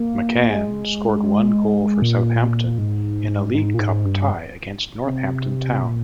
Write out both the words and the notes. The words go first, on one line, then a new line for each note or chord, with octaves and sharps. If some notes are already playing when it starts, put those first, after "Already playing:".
McCann scored one goal for Southampton, in a League Cup tie against Northampton Town.
Already playing: A#3
G#3
A#2
G#2
G#2
A#2
G#2
G2
C3
A#2